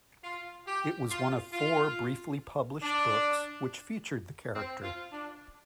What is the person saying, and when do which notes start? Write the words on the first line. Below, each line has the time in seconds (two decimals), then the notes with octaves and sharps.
It was one of four briefly published books which featured the character.
0.24 F4
0.67 G4
1.10 F4
1.53 F4
2.82 D4
4.55 C4
4.83 F4
5.12 D4